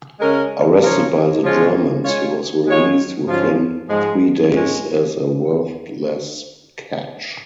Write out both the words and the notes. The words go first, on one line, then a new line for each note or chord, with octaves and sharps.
Arrested by the Germans, he was released within three days as a worthless catch.
C#3 G#3 C#4 A#4
C#3 F3 C#4 A#4 C#5
C#3 F3 G#3 F4 C#5
G#3 F4 C#5
D#3 G#3 F4 C#5
G#2 F3 C#4 F4
G#2 F3 G#3
G#2 G#3 C#4